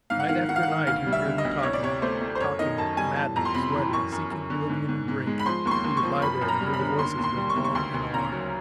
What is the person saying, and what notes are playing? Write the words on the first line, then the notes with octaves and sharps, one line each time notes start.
Night after night he would hear them talking; talking; maddened, sweating, seeking oblivion in drink, he would lie there and hear the voices going on and on.
G#2 F5
F#5
D#3 F5
D#3 F#5
F5
F#5
D#3
D2 F5
G3
E5
D3
D#5
D2
C2 C#5
D5
C3 C#5
A3 C5
A3
C5
F#2 C#5
D#3 D#5
F#2 A5
G3 G#5
E3 A5
F2 A#5
C6
C3 B5
E3
F#2 C#6
F#2
F#2
D3
G#2
G#2
G#2
G#3
B5
F3 C6
D#2 C#6
C6
D#2
C#6
F3
F#2 B5
F#2
A#5
G3
B5
D3
D#2 C6
D#2
C6
G3
C#6
D#2
C#6
D2 C6
D2
C#3 A#5
F#3